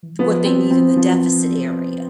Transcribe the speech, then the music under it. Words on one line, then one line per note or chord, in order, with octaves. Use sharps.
what they need in the deficit area.
F3 B3
C4
C4
F3